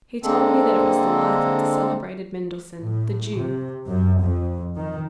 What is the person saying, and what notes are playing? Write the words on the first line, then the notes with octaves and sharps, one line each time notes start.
He told me that it was the Life of the celebrated Mendelssohn, the Jew.
D3 G#3 A#3 C4 A4
A2
C3
F#2
F2
D#3